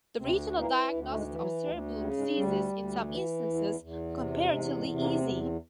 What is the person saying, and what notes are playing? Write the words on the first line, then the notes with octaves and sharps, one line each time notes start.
The regional diagnosis of cerebral disease is, in some instances, comparatively easy.
D2 C3 C4
A#2 E3 A#3
D2
A3
G#2 G#3
E3
F#3
D2 G3
C#3 G3
G#2 G#3
D2 G3
D2
E3
E2
E2
C3
E2 G#2 G#3
G#2 G#3
C3
A#2 A#3
C4
E2 B2 B3
C3 C4